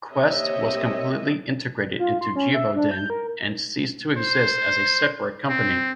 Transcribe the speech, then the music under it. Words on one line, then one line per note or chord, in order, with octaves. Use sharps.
Quest was completely integrated into Givaudan and ceased to exist as a separate company.
A#3 C4 G4 C#5 D#5 E5
F4
C6
C#4
E5
D4
G6
A#4
C5
C4